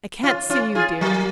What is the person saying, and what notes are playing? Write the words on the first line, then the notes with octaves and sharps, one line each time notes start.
I can't see you, dear!
C#4 F4
C#4 F4
F4 G#4
F#3 A#3